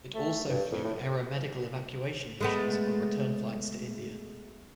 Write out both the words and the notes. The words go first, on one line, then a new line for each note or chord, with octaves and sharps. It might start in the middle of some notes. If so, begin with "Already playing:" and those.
It also flew aeromedical evacuation missions on return flights to India.
A3
G2
F2
A2
G#3 A3 B3